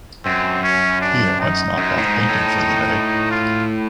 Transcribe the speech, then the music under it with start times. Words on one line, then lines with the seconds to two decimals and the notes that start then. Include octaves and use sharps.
He at once knocked off painting for the day.
0.25 F#2 C4
0.63 C#4
1.01 D4
1.40 D#4
1.77 F#2
1.98 A2
2.03 G#2
2.29 A2
3.31 F4